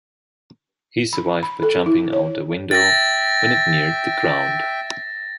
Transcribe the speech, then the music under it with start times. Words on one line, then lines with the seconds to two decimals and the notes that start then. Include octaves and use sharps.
He survived by jumping out a window when it neared the ground.
1.13 B5
1.43 B5
1.63 A4
1.86 E4
2.13 C#5
2.71 E5 G5 A6 A#6